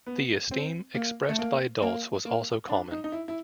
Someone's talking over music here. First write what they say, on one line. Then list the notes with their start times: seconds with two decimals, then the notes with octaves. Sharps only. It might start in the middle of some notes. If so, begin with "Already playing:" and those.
The esteem expressed by adults was also common.
0.06 B3
0.51 C4
0.95 A#3
1.29 A3
1.38 A#3
1.82 A#3
2.25 A#3
2.69 D4
2.92 D#4
3.04 D#4
3.12 E4
3.28 E4